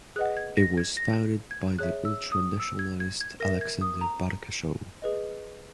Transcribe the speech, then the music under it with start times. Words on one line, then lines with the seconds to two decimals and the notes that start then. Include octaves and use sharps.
It was founded by the ultra-nationalist Alexander Barkashov.
0.16 G#4 B4 D#5 F#5 F#6
0.37 G#6
0.57 A#6
0.77 G#6
0.97 A#6
1.51 G#6
1.79 G#4 C#5 E5 F#6
2.05 E6
2.32 D#6
2.60 E6
2.79 G#6
3.00 G#6
3.21 G#6
3.40 A#4 E5 A#6
3.61 G#6
3.81 D#6
4.01 A#5
5.02 G#4 B4 D#5